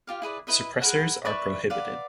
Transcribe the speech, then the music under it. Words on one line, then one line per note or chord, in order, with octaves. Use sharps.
Suppressors are prohibited.
F4 G4 F5
E4 G#4 B4 D5
E4 B4 D#5 E5
G#4 A#4 B4 F#5
B4 D5 E5 C#6
B4 D5 F5 F#5